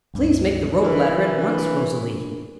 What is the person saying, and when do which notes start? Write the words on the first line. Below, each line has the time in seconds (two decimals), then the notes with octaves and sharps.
"Please make the rope ladder at once, Rosalie!"
0.14 C#2 G2
0.82 E3 D4 A#4